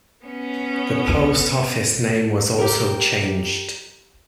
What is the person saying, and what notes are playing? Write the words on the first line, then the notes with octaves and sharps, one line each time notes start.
The post office name was also changed.
B3 C#4
G4 A#4